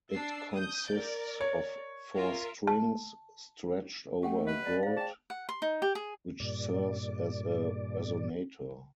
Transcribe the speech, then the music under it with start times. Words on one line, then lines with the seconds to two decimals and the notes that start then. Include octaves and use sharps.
It consists of four strings, stretched over a gourd, which serves as a resonator.
0.12 D4 E6 C7
0.52 D#6 G6
0.89 A#4 D5
1.41 C#5
2.14 F4 A#4 E5
2.67 A5
4.23 A3 G4 F#5 G5
4.47 B4 D#5
4.64 D5
4.83 C5 F5
4.97 G#4 G5 A5
5.30 F#5
5.49 C6
5.62 D#4
5.82 G4
5.95 G#4
6.40 G2 A#2 D5